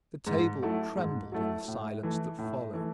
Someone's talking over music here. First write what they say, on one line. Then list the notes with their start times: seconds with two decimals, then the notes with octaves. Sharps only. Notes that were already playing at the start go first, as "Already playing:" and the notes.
The table trembled in the silence that followed.
0.26 G#2
0.62 F#3 A3 E4
0.97 G#2
1.32 F#3 A3 E4
1.68 A2
2.03 E3 A3
2.38 A2
2.73 E3 A3